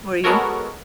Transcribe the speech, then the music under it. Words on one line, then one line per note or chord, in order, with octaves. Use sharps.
Were you?
G#3 B3 F#4 A4 A#4 C#5